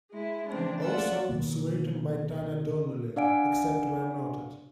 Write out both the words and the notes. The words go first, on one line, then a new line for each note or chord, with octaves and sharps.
All songs written by Tanya Donelly, except where noted.
G#3 E4
C#3 E3 F3 A3 C4 D4
A3 F4 D5 F#5 E6
B2 D#3 A#3
D4 D5 F5 F#5 G#5 D7